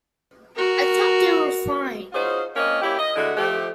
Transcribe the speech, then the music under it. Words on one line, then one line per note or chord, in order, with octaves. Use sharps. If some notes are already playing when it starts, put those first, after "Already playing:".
I thought they were fine.
F#4 A#4
C#4 D#4 F4 F#4 G#4 C5
A#3 C4 C#4 F4 A#4 D#5
A#3 C#4 E4 G4
D#5
D3 G#3 A3 D4 E4 F#4
F3 A3 G4